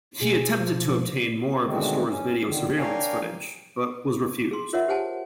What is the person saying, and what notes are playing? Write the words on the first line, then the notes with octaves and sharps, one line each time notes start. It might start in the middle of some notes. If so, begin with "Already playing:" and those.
He attempted to obtain more of the store's video surveillance footage, but was refused.
B2 G#4
F3
B2 D3 D#3 G#3 A3 C4
C#4
D3 D#3
D4 A#4 C#5 F5 G5 G#5
G#4 C6
F4 A#4 C#5 D#5 E5 F#5
G4 C5 F#5 G#5 A5